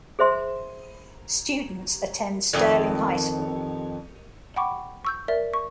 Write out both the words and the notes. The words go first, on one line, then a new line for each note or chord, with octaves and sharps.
Students attend Sterling High School.
G#4 C5 E5 C6
F2 D#3
F#5 G5 B5 C#6 D6
C#6 E6 G6
A#4 D5 E5
C#6